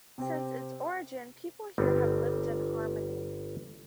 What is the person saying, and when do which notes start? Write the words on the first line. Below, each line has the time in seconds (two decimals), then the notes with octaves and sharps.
Since its origin, people here have lived in harmony.
0.18 C3 C4 G4
1.78 G1 G3 B3 C4